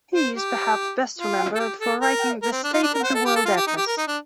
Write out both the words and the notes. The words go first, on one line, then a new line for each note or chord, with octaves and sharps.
He is perhaps best remembered for writing "The State Of The World Atlas".
C5
G4
F4
A4
G4
A4
A#4
A#4
C4
D4
F4
D4
A#4
C5
A4
G4
A4
F4
G4
D#4
G4
A#4
D#4
D4